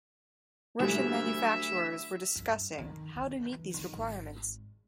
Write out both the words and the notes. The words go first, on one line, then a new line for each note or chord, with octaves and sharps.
Russian manufacturers were discussing how to meet these requirements.
D2 F#3 G3 E5
G2
D#3
D3
E3
D#3
G#1